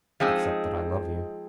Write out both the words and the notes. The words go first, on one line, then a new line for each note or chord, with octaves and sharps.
"Except that I love you."
F3 G#3 C4 D#4